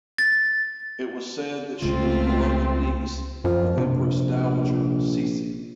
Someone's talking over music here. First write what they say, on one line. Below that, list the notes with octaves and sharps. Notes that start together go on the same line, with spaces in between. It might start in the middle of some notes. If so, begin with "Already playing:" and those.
It was said that she was beloved niece of Empress Dowager Cixi.
A6
C#2 A3 C4 F4
F#2 F3
A#1 C3